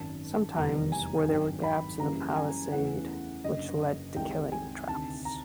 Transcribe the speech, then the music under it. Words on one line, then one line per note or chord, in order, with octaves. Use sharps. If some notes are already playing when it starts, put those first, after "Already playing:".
Sometimes there were gaps in the palisade, which led to killing traps.
Already playing: G#1 F#2 D#3 A5
F1 E2 C3 D#3 G3 A#5
G#5
G#1 G2 D#3 F#3 G5
B5
F#2 C#3 E3 G3 A#3 A#5
G#5
E2 C#3 E3 A3 F#5
F#1 F#2 D3 D#5
C2 C3 D#3 G#3 G5
G#5
D2 C3 D#3 A5
A#5